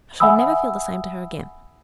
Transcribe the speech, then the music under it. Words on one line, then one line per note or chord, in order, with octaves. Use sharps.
I shall never feel the same to her again.
E5 F#5 G#5 B5 D#6 E6